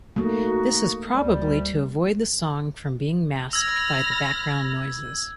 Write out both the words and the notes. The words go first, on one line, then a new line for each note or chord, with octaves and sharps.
This is probably to avoid the song from being masked by the background noises.
A3 A#3 D#4 F#4
D2 G3
B5 E6 F6 G#6 A#6